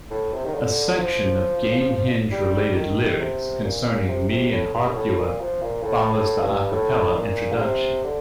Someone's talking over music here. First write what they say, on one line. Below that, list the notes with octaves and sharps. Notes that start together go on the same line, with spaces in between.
A section of Gamehendge-related lyrics, concerning "me and Harpua", follows the a cappella introduction.
A2
C3
D#3
D3
F3
G3
D#3
C3
A#2
C3
C3
A2
G2
A#2
A2
A#2
F3
A#2
A2
A2
G2
A2
A#2
D3
C3
D3